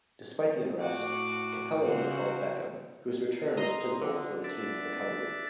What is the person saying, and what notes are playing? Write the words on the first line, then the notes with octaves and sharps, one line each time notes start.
Despite the unrest, Capello recalled Beckham, whose return was pivotal for the team's recovery.
A2 F#4 D6
C#3 E3 F#4 C5
D#5 A#5 C6
D3
D4 D5 E5